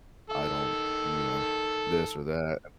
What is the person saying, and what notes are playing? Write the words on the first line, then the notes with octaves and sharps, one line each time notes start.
I don't you know, this or that."
D#3 A4 E6